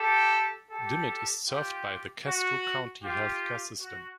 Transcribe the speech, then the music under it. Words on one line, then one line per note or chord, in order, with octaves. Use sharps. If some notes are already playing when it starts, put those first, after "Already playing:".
Dimmitt is served by the Castro County Healthcare System.
Already playing: G4 A4
G4 A4
F4 G4
F#4
F4 G4
F#4